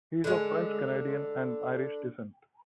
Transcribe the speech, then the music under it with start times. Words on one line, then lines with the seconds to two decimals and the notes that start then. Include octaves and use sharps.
He is of French-Canadian and Irish descent.
0.24 D3 G#3